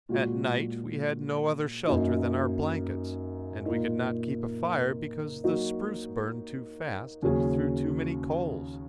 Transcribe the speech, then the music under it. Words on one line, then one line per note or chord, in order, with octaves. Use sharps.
At night we had no other shelter than our blankets, and we could not keep a fire because the spruce burned too fast and threw too many coals.
A#2 G#3 F#4
F#2 F#3 A#3 D#4
A#2 A#3 D#4
F#3 A#3 D#4 F#4
D#2 C#3 F#3 C#4 G#4